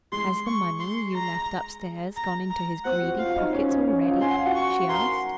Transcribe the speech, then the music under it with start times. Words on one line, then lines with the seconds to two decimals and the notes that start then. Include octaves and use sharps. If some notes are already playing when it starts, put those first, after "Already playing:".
"Has the money you left upstairs gone into his greedy pockets already?" she asked.
0.12 G#3 G#4 C6
0.47 C#6
0.80 C6
1.14 A#5
2.17 A#5
2.51 A#5
2.85 C4 C5 F#5
3.02 F#4
3.14 F#4
3.19 F4 F5
3.29 F5
3.36 D#4 D#5
3.53 C#4 C#5
3.71 C#4 C#5
3.87 C#4 C#5
4.05 F4 F5
4.21 G#5 C6
4.30 F#5
4.38 F5
4.46 F#4 F#5
4.56 C#6
4.89 A#4 A#5 C6